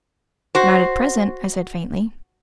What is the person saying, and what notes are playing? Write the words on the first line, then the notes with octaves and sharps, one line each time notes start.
"Not at present," I said faintly.
F#4 C5